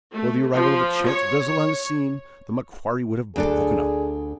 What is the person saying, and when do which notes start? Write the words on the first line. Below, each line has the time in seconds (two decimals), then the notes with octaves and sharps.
Before the arrival of a chance vessel on the scene, the MACQUARIE would have broken up.
0.12 A3
0.54 F3
1.07 C#5
3.36 D2 D4 G#4 A4